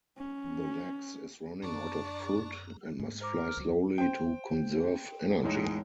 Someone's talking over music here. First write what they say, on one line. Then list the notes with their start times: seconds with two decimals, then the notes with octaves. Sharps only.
The Lexx is running out of food and must fly slowly to conserve energy.
0.18 C#4
1.63 F#2 D4 D5 A5 A#5 C#6
2.99 G#2
3.21 A#4 C5 D6
3.57 C#2 F#3
3.98 C5 G5
5.43 E1 A2 G#3 D#4